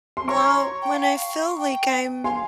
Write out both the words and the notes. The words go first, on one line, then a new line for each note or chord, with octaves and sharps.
well, when I feel like I'm
C6
C#5 A#5 C#6
G5
F5
G5
F5 G#5 C6